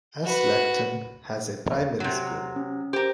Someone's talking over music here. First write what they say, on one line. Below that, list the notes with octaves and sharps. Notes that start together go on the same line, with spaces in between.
Aslacton has a primary school.
F#4 B4
C3 F#3
C#4
G4 A#4 C5 G5